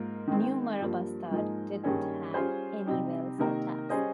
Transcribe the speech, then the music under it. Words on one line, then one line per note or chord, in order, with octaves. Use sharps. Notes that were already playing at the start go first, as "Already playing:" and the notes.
New Marabastad didn't have any wells or taps.
Already playing: G#2 A#3 F4 A#4
D#3 G#3 C4
G2 F3 A#3
G#2 F3 A#3 D#4 G#4
G2 D#3 A#3 C#4 G#4
G3 C#4 F4 G#4 C5
C3 G3 C4 D#4 G4
C3 D#3 A#3 D#4 A#4
G3 C#4 G#4 C5 D#5